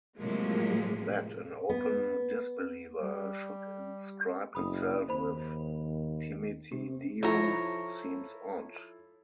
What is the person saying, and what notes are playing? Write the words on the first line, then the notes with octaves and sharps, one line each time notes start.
That an open disbeliever should inscribe himself with Timete Deum seems odd.
A2 C3 F3 F#3 G#3 A#3
B3
G3
F#1 B5 D#6
D#2 C5 B5
C3 G4
F3 E4 A4 C#5 A#5